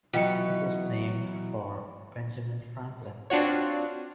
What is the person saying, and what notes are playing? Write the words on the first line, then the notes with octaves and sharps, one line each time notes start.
It was named for Benjamin Franklin.
B2 E3 F#3 F4 G5 C#7
C4 D4 F4 F#4 C#5